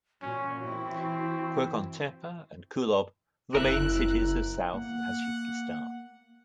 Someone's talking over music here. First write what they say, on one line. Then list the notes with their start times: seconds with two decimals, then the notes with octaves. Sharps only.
Qurghonteppa and Kulob are the main cities of south Tajikistan.
0.22 A#2 C#4 F#4
0.65 E3 C4 E4
3.55 F#1 E4 A#4 E5 F#6
4.74 A#3 F#5